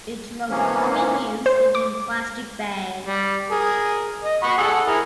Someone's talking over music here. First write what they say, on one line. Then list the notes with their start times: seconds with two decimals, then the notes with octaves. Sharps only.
Its most common use is in plastic bags.
0.49 G#2 C3 E3 F3 A#3 C#4
1.46 C5
1.75 D6
3.06 G3
3.51 G#4 A#4
4.24 D#5
4.43 F#5 B5 C#6
4.58 G#4 A4 F#5
4.87 E4 G#4 A#4